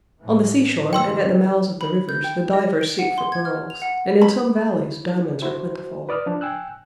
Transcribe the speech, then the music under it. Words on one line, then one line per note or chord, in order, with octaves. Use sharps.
On the seashore and at the mouths of the rivers the divers seek for pearls, and in some valleys diamonds are plentiful.
A2 E3
D3 E3 G3 G5 C6 E6
B5
G6
G5
D#5
D7
F#5
C6
G#6
F6
F7
F#5
B5
E4
E4 F#4 C5
B4 D5 D#6 F6
F3 D4
G5 G#5 E6 F#6